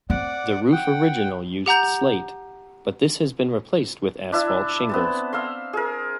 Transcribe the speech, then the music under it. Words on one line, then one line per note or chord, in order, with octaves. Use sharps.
The roof original used slate, but this has been replaced with asphalt shingles.
C4 D5 F#5 D6
F#5 G5
G4 F#5 A#5 G6
D4 E4 E5
B3 C4 A5
E5 F5 A#5 C6
G#4 A#4